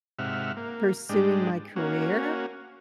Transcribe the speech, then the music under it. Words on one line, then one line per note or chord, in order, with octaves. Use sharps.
pursuing my career,
G#2 C3 E5 F#5 F6
A#3
G#2 G#3 D4 G4
A#3 C#4 F#4